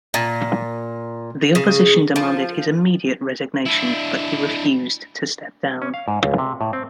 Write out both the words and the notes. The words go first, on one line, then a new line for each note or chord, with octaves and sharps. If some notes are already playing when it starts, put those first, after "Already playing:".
The opposition demanded his immediate resignation but he refused to step down.
A#2
C#3
F3
D4 E4
C#4
F5
G#2
C#2
C3
A2
C4